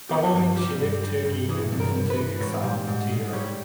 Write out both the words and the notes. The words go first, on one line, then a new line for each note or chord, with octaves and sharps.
Following she left Turkey and went into exile to Europe.
B3 G4
G2
G3 G4
G2
G3
G2
E3 G#4
G2
A#4
G2
B4
E3
G#2 C#5
G3
G#2
G#2
G3 C#5